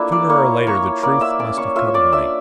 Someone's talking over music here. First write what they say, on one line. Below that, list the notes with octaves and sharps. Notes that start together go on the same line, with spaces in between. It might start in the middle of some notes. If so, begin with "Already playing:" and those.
Sooner or later the truth must have come to me.
Already playing: A3 A#3 D4 E4 F4 E5
D5 D6
A#3 C#5 C#6
A#3 C#5 C#6
A#3 D5 D6
E5 E6
C#4 D5 D6
C#5 C#6
F4 E5 E6
D5 D6
D4 E5 E6